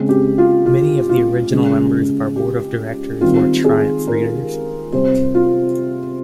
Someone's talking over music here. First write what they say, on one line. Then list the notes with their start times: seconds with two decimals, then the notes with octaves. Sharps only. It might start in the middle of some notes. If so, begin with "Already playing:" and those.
Many of the original members of our Board of Directors were "Triumph" readers.
Already playing: C#3 G#3 C4
0.09 G4
0.38 F4
0.66 F4
1.09 F4
1.51 C#3 G#3 C#4
2.36 G4
3.21 D#3 G3 C4 F4
3.64 G#4
4.07 A#4
4.92 C3 G3 C4 C5
5.35 F4